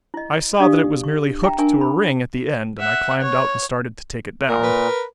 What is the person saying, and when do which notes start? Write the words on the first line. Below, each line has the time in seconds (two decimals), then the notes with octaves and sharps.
I saw that it was merely hooked to a ring at the end, and I climbed out and started to take it down.
0.14 E4 D#5
0.60 D4 G4 D5 F5 D#6
1.04 C#6
1.43 E5 G5 A#5
1.58 D4 A#4 E5 G#5 C#6
1.81 B5
2.79 E5 F#5
3.20 C#5
4.49 A#2 A#4
4.63 B4